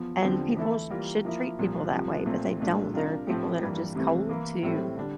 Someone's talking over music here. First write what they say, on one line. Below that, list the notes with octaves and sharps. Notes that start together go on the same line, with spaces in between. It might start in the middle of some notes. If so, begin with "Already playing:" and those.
And people sh should treat people that way, but they don't, there are people that are just cold to
Already playing: E2 F3
E2 D3 F3 C4 G4
E3 A3 E4 A4
E3 G3 A#3 F4 A#4
F3 A#3 E4
C2 A#2 F3
C2 C3 F3
A#2 A3 C4
C2 A#2 A3 D4
C3 G3 D4 F4 A#4
A2 F3 A3 C4 G4
G2 E3 G3 A#3
C2 C3 E3 A3 C4
E3 A#3 E4
A2 G3 C4 E4 A4
D3 G3 D4